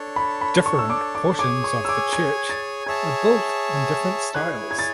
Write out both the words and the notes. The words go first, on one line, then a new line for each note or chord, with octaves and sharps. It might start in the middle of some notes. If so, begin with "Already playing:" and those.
Different portions of the church are built in different styles.
Already playing: D4 A4 C#5
B5
B5
C#6
E6
D6
D6
G#4 C#5 G#5 D6
C#6
E6
D6
G#6
A6
G#4 C#5 E5 A5 G#6
E4 G#4 C#5 G#5 F#6
G#6
A6